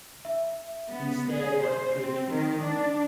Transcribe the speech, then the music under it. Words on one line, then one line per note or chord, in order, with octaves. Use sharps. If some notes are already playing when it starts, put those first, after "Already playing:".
He stared right through me.
E5
B3
G#4
C5
C4
D#3
D4